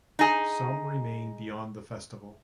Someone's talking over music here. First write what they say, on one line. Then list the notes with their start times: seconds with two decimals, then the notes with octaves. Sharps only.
Some remain beyond the festival.
0.19 D#4 G#4